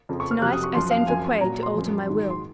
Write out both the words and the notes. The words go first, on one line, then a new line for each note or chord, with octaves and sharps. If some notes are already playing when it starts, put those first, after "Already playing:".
To-night I send for Quaid to alter my will.
F2 C#3 F3
C#6
F6
F2 C3 F#3 F#6
D#6
C#6
F#2 F3 C6
F5
F#2 F3 G#5
A#2 F#3 A#5
C6
F#2 F3
G#2 D#3 F#3
C6